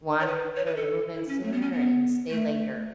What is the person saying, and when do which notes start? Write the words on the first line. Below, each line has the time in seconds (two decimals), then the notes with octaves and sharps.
wanted her to move in sooner and stay later.
0.20 C#5
0.26 B4
0.56 C#5
0.66 B4
0.76 A4
1.15 E4
1.28 C#4
1.43 A3
1.52 B3
1.62 C#4
1.72 B3
2.30 A3